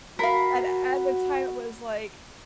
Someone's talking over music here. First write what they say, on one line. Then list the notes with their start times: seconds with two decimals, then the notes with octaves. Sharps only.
and at the time, it was like
0.19 F#4 A#4 F5 B5